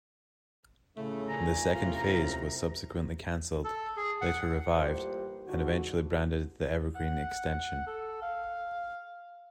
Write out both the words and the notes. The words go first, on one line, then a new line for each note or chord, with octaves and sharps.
The second phase was subsequently cancelled, later revived and eventually branded the Evergreen Extension.
A2 C#3 A3
G#1 A#2 G#5 A#5
C2 F#2 C3 A3 F4
A4
G#4
F#5
A1 A#2 G3 G4 C5
C#2 G#2 D3 F#4
F#5
A4
F5